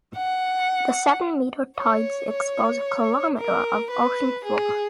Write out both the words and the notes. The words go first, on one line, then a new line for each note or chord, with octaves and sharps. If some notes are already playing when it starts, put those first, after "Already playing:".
The seven-meter tides expose a kilometer of ocean floor.
F#5
C#5
C#5
A#4
B4
G#4